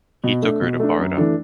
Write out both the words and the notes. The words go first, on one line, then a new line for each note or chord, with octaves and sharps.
He took her to Barda.
B2
A3 D4
B2
A3 D4
F#2
E3 A3 D4